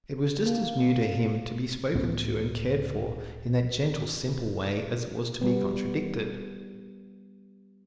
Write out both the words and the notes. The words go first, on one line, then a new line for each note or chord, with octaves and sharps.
It was just as new to him to be spoken to and cared for in that gentle, simple way as it was to be contradicted.
A#3
C#2 A2 B3 C#4
G3 B3